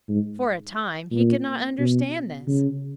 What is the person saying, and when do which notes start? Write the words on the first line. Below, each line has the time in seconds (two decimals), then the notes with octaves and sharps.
For a time he could not understand this.
0.09 G#2
1.11 A#2
1.79 B2
2.48 C#3